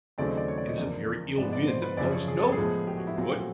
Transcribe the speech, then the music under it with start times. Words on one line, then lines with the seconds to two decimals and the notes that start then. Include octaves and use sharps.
It is a very ill wind that blows nobody any good.
0.18 D#2 C#3 F#3 A3 C4 D5
0.28 D#5
0.37 D5
0.48 C#5
0.58 D5
0.67 D#5
0.78 E2 C#3 F3 A#3 D5
1.38 G#2 F3 G#3 B3 D5
1.53 D5
1.68 C5
1.82 B4
1.97 F#2 C#3 F3 D5
2.12 C#5
2.28 G#4
2.40 A4
2.52 G#4
2.57 A2 F3 G#3 B3
2.87 G4
2.97 F#4
3.07 E4
3.17 A#2 F#3 A3 C4 F4
3.27 G4
3.37 F#4